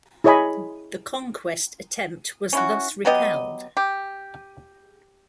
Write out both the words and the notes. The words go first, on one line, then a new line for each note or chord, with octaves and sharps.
The conquest attempt was thus repelled.
E4 G#4 C#5 D#5 G#5 B5
C#4 E4 F#4
F#3 B3 G4 D#5
G4